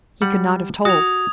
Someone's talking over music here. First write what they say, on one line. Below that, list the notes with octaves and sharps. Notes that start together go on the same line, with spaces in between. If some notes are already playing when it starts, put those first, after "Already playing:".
He could not have told.
G3 F#5
F#4 D#6 G#6 F7